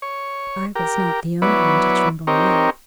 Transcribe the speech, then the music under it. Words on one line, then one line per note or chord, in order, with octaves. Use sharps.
I was not the only one to tremble now.
C#5
G4 A#4
F#3 B3 E4 B4 C#5 D5
C4 D#4 G4 A#4 C#5